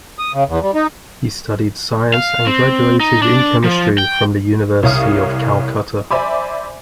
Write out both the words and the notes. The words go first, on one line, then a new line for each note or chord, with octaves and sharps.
He studied science and graduated in chemistry from the University of Calcutta.
D#6
C#3
E2
G3
D#4
F5
C4
D#4
D4
F3
G5
C2 C#5 F5 D#6 F6
C5 D5 E5 G#5 B5 D6